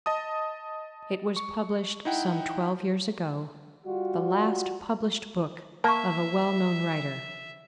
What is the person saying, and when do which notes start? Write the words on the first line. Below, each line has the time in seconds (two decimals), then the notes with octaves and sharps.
It was published some twelve years ago, the last-published book of a well-known writer.
0.06 D#5 A5 D#6
1.36 C#6
2.05 D#4 E4 F#5 G5
3.85 G3 F4 F#4
5.84 A#3 E5 A5 C#6